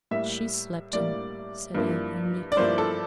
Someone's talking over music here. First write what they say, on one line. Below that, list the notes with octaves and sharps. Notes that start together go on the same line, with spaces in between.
"She slapped him," said Hale grimly.
A2 G3 A#3 E5
A2 G3 A#3 D5
G2 F3 A#3 E4
D5
G2 F3 A#3 E4 C5
A4